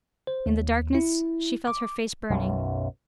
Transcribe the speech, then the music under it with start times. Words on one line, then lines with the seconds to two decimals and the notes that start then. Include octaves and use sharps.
In the darkness she felt her face burning.
0.27 C5
0.46 D#2
0.95 E4
1.67 D6
2.30 B1 F#2